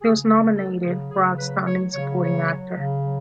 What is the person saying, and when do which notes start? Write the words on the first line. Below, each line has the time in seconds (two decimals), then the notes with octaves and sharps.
He was nominated for Outstanding Supporting Actor.
0.01 C#3 G#4
0.28 F#3 A4
0.55 F#3 A4
0.82 C#3 G#4
1.10 C#3 G#4
1.37 F#3 B4
1.65 F#3 C#5
1.92 C#3 C#5
2.20 F#3 C#5
2.46 F#3
2.74 C#3
3.01 F#3